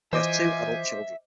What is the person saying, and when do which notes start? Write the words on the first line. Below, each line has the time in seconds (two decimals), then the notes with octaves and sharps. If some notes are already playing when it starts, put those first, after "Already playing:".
He has two adult children.
0.13 E3 F4 C5 D#5 E5 G#5 D6